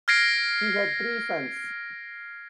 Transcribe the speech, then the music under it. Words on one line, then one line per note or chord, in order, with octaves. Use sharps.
He had three sons.
F6 G#6 A#6 C7 D7